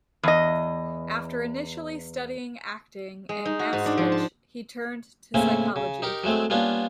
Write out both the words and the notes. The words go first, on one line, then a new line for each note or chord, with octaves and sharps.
After initially studying acting in Maastricht, he turned to psychology.
E2 D#5
G#3
D#4
F#4
G#2
D4
F3
A5
A2 C#3 A#3 C4 C#4
C#3
D#4 G4 A#4
F#3 G#3 A3 C4
G3 A#3 B3 C#4 D4 F4